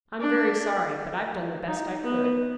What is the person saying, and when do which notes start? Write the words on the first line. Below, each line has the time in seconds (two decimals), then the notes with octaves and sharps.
"I'm very sorry; but I've done the best I could."
0.20 D4
1.67 D#4
2.04 B3